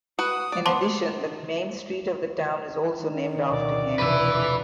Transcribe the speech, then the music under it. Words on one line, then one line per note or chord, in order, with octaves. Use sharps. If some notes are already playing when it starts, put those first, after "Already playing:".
In addition, the main street of the town is also named after him.
F#4 B4 D#6
D5
B3 A5 C6 D6
D#3
D2 B2 D5
F1 B4 E5 F5